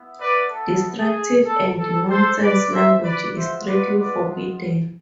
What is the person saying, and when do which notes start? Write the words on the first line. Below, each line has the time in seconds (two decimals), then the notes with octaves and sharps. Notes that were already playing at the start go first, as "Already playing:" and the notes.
Destructive and nonsense language is strictly forbidden.
Already playing: B3 E4
0.20 B4 D5
0.51 A4
0.98 G#4
1.46 A4
1.78 A4
2.09 A4 C5
2.41 B4 D5
2.72 C5 E5
3.04 B4 D5
3.35 G#3 B3 F4 C5 E5
3.67 B4 D5
3.98 B4 D5